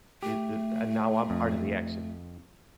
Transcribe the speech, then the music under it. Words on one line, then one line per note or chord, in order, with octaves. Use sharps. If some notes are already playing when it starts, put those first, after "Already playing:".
Th th And now I'm part of the action.
A3 G4
F2